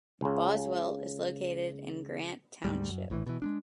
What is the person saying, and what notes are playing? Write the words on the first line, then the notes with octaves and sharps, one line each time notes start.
Boswell is located in Grant Township.
C#2 C#3
D2 G#2 G3
F#2
A#1 A2 D3 E3
B2 E3
G#3 B3 D4